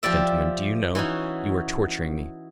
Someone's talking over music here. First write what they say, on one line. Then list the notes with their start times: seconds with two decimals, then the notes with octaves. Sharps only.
Gentlemen, do you know, you are torturing me!
0.03 F3 G4 D5 E5
0.95 E3 C#4 D#4 F#4